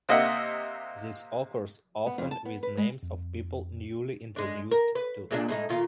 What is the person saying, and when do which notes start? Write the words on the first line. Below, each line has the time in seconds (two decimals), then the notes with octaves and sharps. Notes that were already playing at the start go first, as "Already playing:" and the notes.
This occurs often with names of people newly introduced to.
0.09 C3 A#3 D#5 E5 F#5
2.07 B3
2.18 F2
2.31 A5
2.45 B3
2.63 B4
2.78 G#3
3.03 F2
4.36 G#3 D4
4.72 A#4
4.95 B4
5.31 A#2 G#3 D4
5.49 A2 G#3 D#4
5.69 A#2 D#3 F4